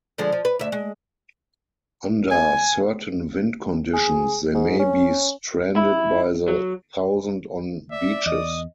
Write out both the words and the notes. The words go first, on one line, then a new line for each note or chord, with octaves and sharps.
Under certain wind conditions, they may be stranded by the thousand on beaches.
D3 F3 G#3
F3
B4
D2 E5
G#3
G#5
G#4
G#2
C#4
E4
F#3
D5 E5
E2 D#5 D#6